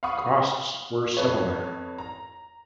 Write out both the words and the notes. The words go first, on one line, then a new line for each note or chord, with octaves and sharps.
Costs were similar.
F5 F#5 B5 C#6 D#6
F2 B4 C#5
A#5